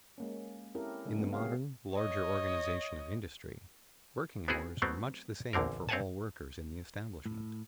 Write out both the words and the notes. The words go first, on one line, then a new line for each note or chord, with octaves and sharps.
In the modern larger organization of industry, working hours are much the same for all workers in the establishment.
G#3 A#3 C#4
C4 C#4 E4 G4 A4 A#4
C#3 G3 A3 D4 D#4
F#3 A3 B3 C4
A#3 F#4 G#4 C#5 F5
C#5 D#5
B3 C4 E4 F#4 G#4
F#3 A3 B3 C4
A#1 E2 D3 C4 A#4
C4 C#5 E5 F#5 G#5 A5
A2